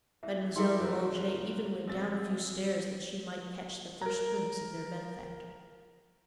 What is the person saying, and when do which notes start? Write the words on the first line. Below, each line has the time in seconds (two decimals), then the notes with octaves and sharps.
Mademoiselle de Langeais even went down a few stairs that she might catch the first glimpse of their benefactor.
0.23 C2 E5
0.56 E4 G#4 A#4 D#5 G5 C6
0.79 F#1 F#4 A#4
1.87 A#1 C4 A6
4.02 A#4 A#5